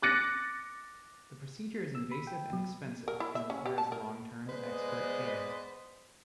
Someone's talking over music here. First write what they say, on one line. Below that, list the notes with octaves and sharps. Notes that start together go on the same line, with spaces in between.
The procedure is invasive and expensive, and requires long-term expert care.
D6 F#6 A6 A#6 C#7
E6
B5
G5
F#3
A#4
E4
E5
C#4
G4
A5
A#4
G#3 B3 B4 C5 D5 D#5